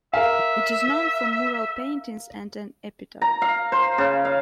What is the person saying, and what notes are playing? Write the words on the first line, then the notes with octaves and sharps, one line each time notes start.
It is known for mural paintings and an epitaph.
A#4 E5 F5
A#5
F5
C5
C#3
F5